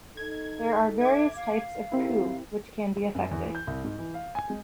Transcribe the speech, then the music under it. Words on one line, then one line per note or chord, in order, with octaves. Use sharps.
There are various types of coup which can be effected.
D#4 A4 G#6
E5 D6 G#6
F5
D#3 C4 E4 G4 A#4
F#2
E2
E3
G6
C2
G#2
E3
F5
G#5
G#3